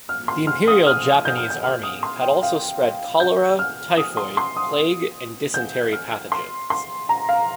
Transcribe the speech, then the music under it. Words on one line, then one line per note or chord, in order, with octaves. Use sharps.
The Imperial Japanese Army had also spread cholera, typhoid, plague and dysentery pathogens.
F6
C6
F6
D#6
F6
G6
F6
G6
F6
D#6
C6
G5
F5
G6
F6
D#6
C6
C6
D#6
G6
F6
C6
C6
A#5
F5